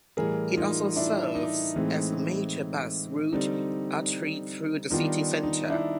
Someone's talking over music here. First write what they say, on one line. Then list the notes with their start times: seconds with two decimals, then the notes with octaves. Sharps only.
It also serves as a major bus route artery through the city centre.
0.17 A2 E3 G3 G#4 A#4
0.57 D#4 F4
0.96 D4 E4
1.35 D#4
1.75 A2 E3 G#3 C4
3.33 D3 G3 C4 D#4
4.90 D#3 G3 B3 D4 D#4 F4
5.43 D#4
5.69 D4 E4